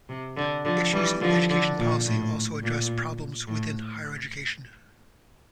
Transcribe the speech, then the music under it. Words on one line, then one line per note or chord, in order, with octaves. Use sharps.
Issues in education policy also address problems within higher education.
C3
D3
D3 F3
E3 G3
D3 F3
D3
A#2
A2
A#2
A2